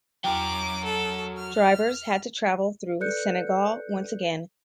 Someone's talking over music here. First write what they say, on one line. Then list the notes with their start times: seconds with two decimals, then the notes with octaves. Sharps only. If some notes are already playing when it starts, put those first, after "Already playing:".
Drivers had to travel through Senegal once again.
0.24 E2 F#3 A#4 G5 D6
0.84 A4
1.37 F6
3.00 A4 B4 D5 F#6 G6 C#7